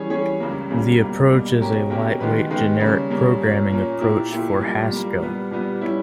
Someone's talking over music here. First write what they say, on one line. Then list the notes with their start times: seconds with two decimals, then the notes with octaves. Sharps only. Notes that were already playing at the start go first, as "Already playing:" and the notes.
The approach is a lightweight generic programming approach for Haskell.
Already playing: E3 G3 C#4 G#4 C#5
0.10 E3 G3 C#4 G#4 C#5
0.40 C#2 C#3 G3 A#3
0.70 C#2 C#3 G3 A#3
1.00 B2 G3 A#3
1.30 B2 G3 A#3
1.61 B2 A#3 C#4 G4 A#4
1.90 B2 A#3 C#4 G4 A#4
2.20 D#3 G#3 B3 G4 B4
2.51 D#3 G#3 B3 G4 B4
2.80 C#3 G3 A#3 C#4
3.10 C#3 G3 A#3 C#4
3.41 A#2 A#3 C#4
3.71 A#2 A#3 C#4
4.01 A#2 A#3 E4 G4
4.31 A#2 A#3 E4 G4
4.61 A#2 G3 A#3
4.91 A#2 G3 A#3
5.21 A#2 G3 B3
5.51 A#2 G3 B3
5.81 G3 C#4 E4